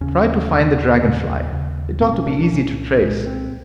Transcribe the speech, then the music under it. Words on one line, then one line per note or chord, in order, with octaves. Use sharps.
Try to find the Dragon Fly--it ought to be easy to trace.
D#2 C#3 C#4
D#2 C#3
D#2 C#3
D#2 C#3
C2 A#2 C4
C#4
D4
D4
C2 A#2 C#4
C2 A#2 G#3
C4